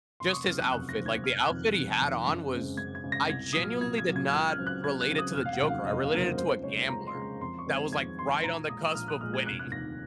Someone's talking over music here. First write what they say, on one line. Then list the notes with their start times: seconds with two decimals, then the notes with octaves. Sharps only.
Just his outfit. Like, the outfit he had on was I genuinely did not relate it to the Joker. I related it to a gambler that was, like, right on the cusp of winning.
0.20 F1 C6
0.29 D#6
0.33 C#6
0.47 D#2 C#3 F#3 C4 F6
0.59 F#6
0.72 F1 F#6
0.89 A#6
0.98 D#2 C#3 F#3 C4
1.06 G#6
1.24 F1 F6
1.41 F#6
1.49 F2 D#3
1.75 F1
2.01 F2 D#3
2.27 F#2
2.52 C#3 G#3 C4
2.77 F#2 G#6
2.95 G#6
3.04 C#3 G#3 C4
3.12 A#6
3.29 C2 G#6
3.53 A#2 F#3 D#6
3.63 F6
3.80 C2 G#6
3.98 G#6
4.07 A#2 F#3
4.16 G#6
4.28 G#6
4.33 C#2 F#6
4.50 F6
4.58 C#3 F#3 C4
4.67 F#6
4.83 C#2 G#6
5.01 F#6
5.09 C#3 F#3 C4
5.18 D#6
5.35 F1 F6
5.46 F5
5.53 F#5
5.62 D#2 C#3 F#3 A#3
5.69 F5
5.86 F1 D#5
6.04 F5
6.12 D#2 C#3 F#3 A#3 A#4
6.22 C5
6.38 C#2 C5
6.63 C#3 G#3 C#5
6.89 C#2 A#5
7.07 C6
7.15 C#3 G#3
7.41 F2 C6
7.59 C#6
7.66 D#3 G#3 C4
7.76 G#6
7.92 F2 G#6
8.18 D#3 G#3 C4 C6
8.44 A#1 A#5
8.69 A#2 G#3 D#6
8.86 D#6
8.95 A#1 F6
9.08 F#6
9.21 A#2 G#3 F6
9.34 G#6
9.46 F1 F#6
9.59 F#6
9.72 D#2 A#6
9.77 D#3